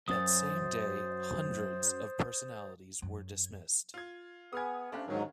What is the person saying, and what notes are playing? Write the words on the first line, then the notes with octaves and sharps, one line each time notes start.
That same day, hundreds of personalities were dismissed.
F#2 C5 D#6 A6
F#2
F4 G#6
B3 G#4 G#5 D#6 F6 G#6
C3 A3 C#4 D4 F5 B5
D#2 G#2 D3 D#3 F#3